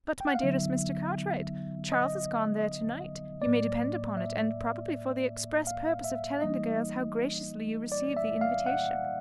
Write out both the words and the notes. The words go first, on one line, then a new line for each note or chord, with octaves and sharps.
"But, my dearest Mr. Cartwright, Charles is gone there to-night, you may depend upon it, and probably for the express purpose of telling the girls how graciously you received the invitation."
G5
F#5
F5
D3 F#3 B3 D#4 E5
D#5
A2 F#3 A#3 D5
E5
F5
E5
E3 G3 A#3 D#4 D#5
D5
E5
F5
F#5